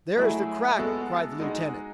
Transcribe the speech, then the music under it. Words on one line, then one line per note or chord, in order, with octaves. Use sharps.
"There is the crack!" cried the lieutenant.
F#3 A3 E4 G#4
G#3 B3 F#4 A4
G#3 D#4 F#4